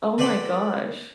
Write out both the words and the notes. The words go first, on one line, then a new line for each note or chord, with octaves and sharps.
Oh my gosh.
A4 B4 C5 D5 F#5 G5